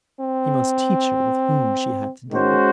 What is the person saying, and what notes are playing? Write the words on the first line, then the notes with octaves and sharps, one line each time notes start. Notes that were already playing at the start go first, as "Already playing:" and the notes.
He must teach her with whom she had to deal!
C4
D#3 G#3 C#4 F#4 C5